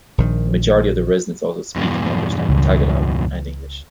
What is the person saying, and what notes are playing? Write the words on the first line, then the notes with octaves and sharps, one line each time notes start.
The majority of the residents also speak and understand Tagalog and English.
A#1 D#3
E2 G2 B2
C#2